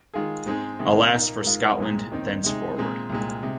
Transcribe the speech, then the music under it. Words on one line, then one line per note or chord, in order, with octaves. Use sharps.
Alas for Scotland thenceforward.
D#3 G#3 F4 G#4
G#2 G#3 C4 G#4
C3 D#3 G#3
A#2 A#3 D#4
G#2 G#3 F4 A#4
C2 A#2 G#3
D#2 D#3 C4 D#4
C3 G#3 D#4
A#2 G#3 C4 G#4
C2 A#2 G#3
C3 G#3